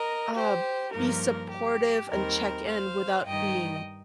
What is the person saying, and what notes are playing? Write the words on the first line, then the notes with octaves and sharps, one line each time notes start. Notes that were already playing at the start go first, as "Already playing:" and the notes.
uh, be supportive and check in without being
Already playing: A#4 D#5
G4 C5
G2 F3 A#3 D#4 A#4
G4
D#2 D#3 G3 C4 A#4
C5 F5
G2 D#3 G3 D#4 D#5 G5